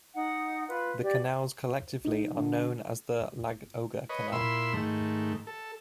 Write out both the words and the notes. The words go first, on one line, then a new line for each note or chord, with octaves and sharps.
The canals collectively are known as the Ladoga Canal.
D#4 F#5
F4 B4
G4 D5
D#4
D3
B4 C#5 D#5
A#2 E4 B5 C6 E6
G#2 D#3 A3
A4